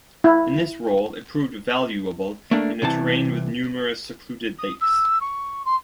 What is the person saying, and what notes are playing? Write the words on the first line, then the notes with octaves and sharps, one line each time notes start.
In this role, it proved valuable in a terrain with numerous secluded lakes.
E4
A3 A#3 D4
C2 C3 E3 A5
D#6
E6
C#6
C6